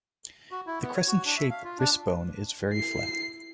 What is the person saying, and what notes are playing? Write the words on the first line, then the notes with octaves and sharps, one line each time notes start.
The crescent-shaped wrist bone is very flat.
F#4
E4
B3
C#5
F#4
D4
E5
F5
F4
D4
E4 C7